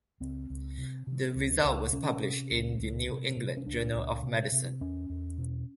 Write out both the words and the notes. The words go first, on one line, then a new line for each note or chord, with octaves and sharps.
The result was published in "The New England Journal of Medicine".
C#2 C4
C#2
C3
C3
C#2
C#2
C3 C#4
C3
C#2
C#2
C3
C3
C#4
C#2 D4
C#2
C3
C3
E2 C#4
E2
B2